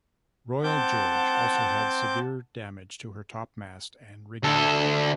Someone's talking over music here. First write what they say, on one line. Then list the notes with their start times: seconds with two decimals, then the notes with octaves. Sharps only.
"Royal George" also had severe damage to her top mast and rigging.
0.64 C4 F#5 A5 D6 G6
4.43 D2 A4